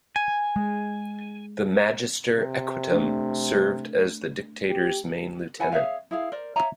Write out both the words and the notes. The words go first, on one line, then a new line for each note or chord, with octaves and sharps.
The Magister Equitum served as the Dictator's main lieutenant.
G#5
G#3
C3
A3 D4
G4
E4 F#5 G#5 B5
G#4 C#5 E5 F5
E4 G#4 F5
A#4 C5 D5
C#5 E5 F5 A#5